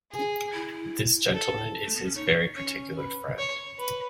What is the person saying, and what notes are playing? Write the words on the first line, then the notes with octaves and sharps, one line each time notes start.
This gentleman is his very particular friend.
G#4
E4
A4
A3
B3
C#4
D#4 C#5
C#4 C#5
B4
C#5
B4